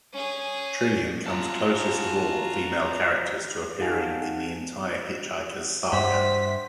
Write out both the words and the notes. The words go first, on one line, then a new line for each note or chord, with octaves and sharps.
Trillian comes closest of all female characters to appearing in the entire "Hitchhiker's" saga.
C#4 G#4
F4 F#4 A5 A#5
D#4 G4 F5 F#5 G#5 A5
G#5
D#4 F#5
G2 C5 E5 F#5 G5 B6